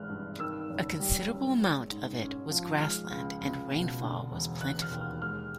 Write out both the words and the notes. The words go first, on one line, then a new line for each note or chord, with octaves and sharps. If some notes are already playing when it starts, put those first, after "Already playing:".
A considerable amount of it was grassland and rainfall was plentiful.
Already playing: G#1 E3 G#3 F6 F#6
G2
D#3 E6
F#1
G3
F#2
G#3
G#2
C#4
F3
G#3 F6
C#2
C#2
B2
D3
E1
E1 F#6
F6
D#2
F6
G#3 F6